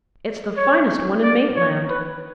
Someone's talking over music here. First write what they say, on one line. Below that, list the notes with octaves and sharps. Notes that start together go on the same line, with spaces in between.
It's the finest one in Maitland.
C#5
D5
C#5
B4